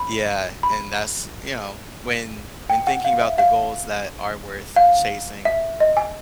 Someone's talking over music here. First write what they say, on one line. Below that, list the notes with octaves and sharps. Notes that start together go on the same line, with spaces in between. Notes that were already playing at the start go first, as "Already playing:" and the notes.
Yeah, and that's, you know, when when thinking about the goals that are worth chasing,
Already playing: B5
B5
G5
F#5
F5
E5
F5
F5
E5
D#5
G#5